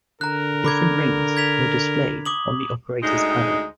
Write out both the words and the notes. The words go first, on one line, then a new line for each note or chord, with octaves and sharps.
The different rings were displayed on the operator's panel.
D3 A#4 A#5 F#6
B5 D6 G#6
G#6 B6 F7
D6 D#6 F#7
D2 G#3 D#4